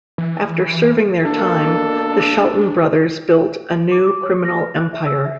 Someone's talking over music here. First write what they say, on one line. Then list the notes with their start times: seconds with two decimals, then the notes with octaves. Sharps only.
After serving their time, the Shelton brothers built a new criminal empire.
0.18 E3
1.25 B2 A#3 D4 A4
3.92 D6
4.07 D6
4.23 C#5
4.45 A#6
4.59 B4
4.76 F#6
4.93 E5
5.06 E6
5.25 E5